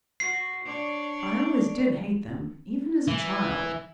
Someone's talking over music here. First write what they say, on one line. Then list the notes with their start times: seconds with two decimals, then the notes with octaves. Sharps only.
I always did hate them, even as a child.
0.20 F#4 C7
0.64 D4 C#5 D5
3.08 E3